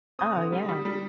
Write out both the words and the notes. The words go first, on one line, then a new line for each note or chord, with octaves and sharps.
Oh, yeah.
C4 D#6
D3
G3
G3
G3